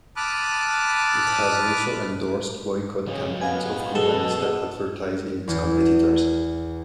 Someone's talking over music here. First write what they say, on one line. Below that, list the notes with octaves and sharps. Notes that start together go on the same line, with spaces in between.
It has also endorsed boycott campaigns of companies that advertise in its competitors.
A5 B5 D6 D#6 F6 F#6
C#3 F#3 D#4
B3 F5 G#5
B2 B3 G#4 A4 D#5
E2